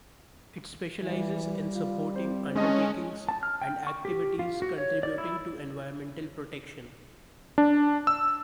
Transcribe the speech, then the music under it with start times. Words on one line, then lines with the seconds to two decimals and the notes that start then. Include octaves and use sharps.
It specializes in supporting undertakings and activities contributing to environmental protection.
1.02 E3 G3
1.43 G3
1.75 F4
2.16 C4 C5
2.55 G#3 C#4 D#5 A5
3.29 A5
3.43 F6
3.62 G5
3.87 C#6
4.05 G4
4.39 F4
4.62 F#4
4.78 C#5
5.03 D5
5.18 E4
7.58 D4
8.07 E6